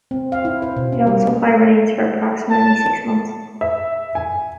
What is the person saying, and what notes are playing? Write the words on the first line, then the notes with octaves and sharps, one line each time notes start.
It also hibernates for approximately six months.
C4
F5
E4
C5
B2
C#4
G3
A5
E5
G#5